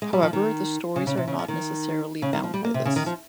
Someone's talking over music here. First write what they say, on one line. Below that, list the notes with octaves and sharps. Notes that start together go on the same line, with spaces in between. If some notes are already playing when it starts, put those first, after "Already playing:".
However, the stories are not necessarily bound by this.
G#3
G3
F3
D#3
C#3
C#3
C3
C#3
F3
D#3
C#3
D#3
F3
G3
A#3
C3
C#3
D#3
F3